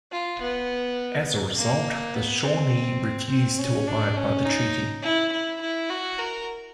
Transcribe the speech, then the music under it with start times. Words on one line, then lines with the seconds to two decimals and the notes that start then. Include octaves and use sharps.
As a result, the Shawnee refused to abide by the treaty.
0.12 F4
0.41 B3
1.57 A#3
2.15 B3
2.44 C4
3.30 C4
3.59 C#4
3.88 D4
4.17 C#4
4.45 D#4
5.03 E4
5.32 E4
5.61 E4
5.90 F#4
6.18 A#4